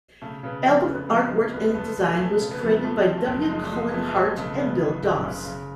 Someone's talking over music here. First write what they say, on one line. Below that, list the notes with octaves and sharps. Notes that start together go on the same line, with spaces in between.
Album artwork and design was created by W. Cullen Hart and Bill Doss.
C#3 A3
C#3 B3
F2 C#4
F1 B3
F2 G#3
F2
F1 B3
B3
F1 A3
F1
F1 A3
C#3
B3
F2
F3 A3
F2
A3
F#1
F3 G#3
A3
F3 G#3
B3
F3 A3
A3
F#1 G#3
C#3 A3
C#3 B3
F3
F#1
C#3
C#3